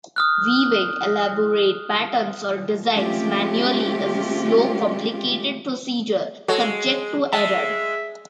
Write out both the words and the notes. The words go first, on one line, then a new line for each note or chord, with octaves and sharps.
Weaving elaborate patterns or designs manually is a slow, complicated procedure subject to error.
D#6 F6 F#6
G#3 A3 C4 C#4 F4 G4
G#3 F#4 A4 C#5
G#3 E5 A5